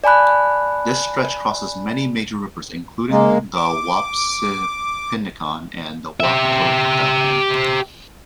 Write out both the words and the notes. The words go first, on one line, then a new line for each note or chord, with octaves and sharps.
This stretch crosses many major rivers including both the Wapsipinicon and the Maquoketa.
D5 G#5 A5 B5 F#6
G#3 A#3
D6
G4 E5